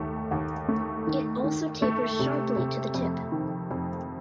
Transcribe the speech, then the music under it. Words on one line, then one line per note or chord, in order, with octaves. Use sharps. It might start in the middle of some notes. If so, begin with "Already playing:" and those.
It also tapers sharply to the tip.
Already playing: D#2 A3
D#2
A3
D#3
D#3
A3
C3
C3
F2
D#3
F2